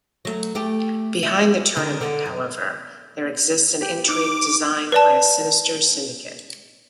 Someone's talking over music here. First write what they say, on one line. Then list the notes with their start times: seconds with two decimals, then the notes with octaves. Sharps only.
Behind the Tournament, however, there exists an intrigue designed by a sinister syndicate.
0.25 F#3 A3
0.55 A3 G4
1.23 E5
1.77 D3 D#3
2.01 D3
2.26 F#2
3.81 G4 G5
4.09 D#4 D6
4.92 B4 D5 A5